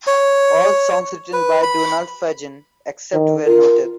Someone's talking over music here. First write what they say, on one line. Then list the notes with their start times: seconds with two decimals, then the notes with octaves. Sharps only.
All songs written by Donald Fagen, except where noted.
0.07 C#5
1.33 B4
1.63 B5
3.13 D#3
3.46 F4 A#4